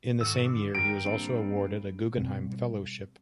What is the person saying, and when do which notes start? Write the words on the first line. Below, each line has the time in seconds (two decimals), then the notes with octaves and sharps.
In the same year he was also awarded a Guggenheim Fellowship.
0.21 G#2 D#3 F#4 A4 E6
0.45 D3 D6
0.75 A#4 G5 D7
1.05 G3 A#3 C4 D4
2.18 B2 G3 C4